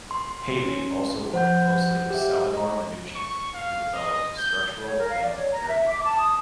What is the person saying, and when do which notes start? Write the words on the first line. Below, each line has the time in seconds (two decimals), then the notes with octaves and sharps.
Haley also worked closely with Salvador Minuchin, who developed Structural Family Therapy.
0.11 C6
0.65 C#4
1.34 F3 C5 F#5 G6
2.11 G4 E5
2.54 D#5 A#5
3.15 C#6
3.55 F5
3.95 D#5
4.38 G6
4.82 C#5
4.98 A#4
5.09 F5
5.22 D5
5.35 C#5
5.51 A#5
5.66 E5
5.87 D6
6.03 A5
6.17 D#6